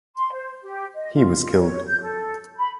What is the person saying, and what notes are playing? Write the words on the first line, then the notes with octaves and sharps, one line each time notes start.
He was killed.
C6
C5
G4
D#5
F4
F4
C#5
G6
A4
B5